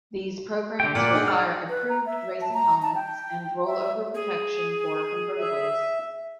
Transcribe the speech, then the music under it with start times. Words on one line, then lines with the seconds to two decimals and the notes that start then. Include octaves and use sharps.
These programs require approved racing helmets and rollover protection for convertibles.
0.80 D3 G4 G5
0.95 A#2 D5 F#5
1.14 D#4 G#4 G5
1.28 D5 F6
1.70 B4
1.89 A#5
2.06 E5
2.41 A5
2.54 A#5
2.82 A5
2.95 G5
3.66 E5
4.15 G#4
5.39 E5